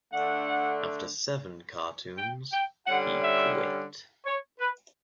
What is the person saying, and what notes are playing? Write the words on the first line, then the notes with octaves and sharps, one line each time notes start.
After seven cartoons, he quit.
D3 A3 D4 F#5
G5
G5
D3 G3 C#4 F#5
E5
C#5
B4